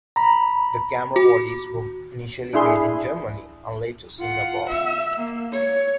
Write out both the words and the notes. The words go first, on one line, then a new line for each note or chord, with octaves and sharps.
The camera bodies were initially made in Germany, and later, Singapore.
A#5 B5
F#4
D4 E4 G#4 C6
F4 F#5
E5
A#3
C#5